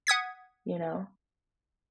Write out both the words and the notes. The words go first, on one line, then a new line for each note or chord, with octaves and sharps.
you know?
F#5 D#6 G#6 B6